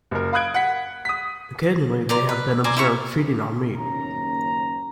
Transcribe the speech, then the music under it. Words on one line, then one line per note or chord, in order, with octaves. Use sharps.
Occasionally they have been observed feeding on meat.
F#1 A#4
F5 B5 D#6 F#6 G#6 D7
F#5 B6
D#6 B6
D5 A#5 C6
B4
C5 D5 G#5 A#5
E4 C5 A#5 C#6
F#1 D#2 C#4 A#5